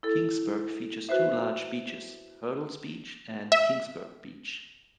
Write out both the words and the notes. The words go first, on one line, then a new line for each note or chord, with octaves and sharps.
Kingsburg features two large beaches, Hirtle's Beach and Kingsburg Beach.
E4 A4
F#4 B4 C5 E5
E5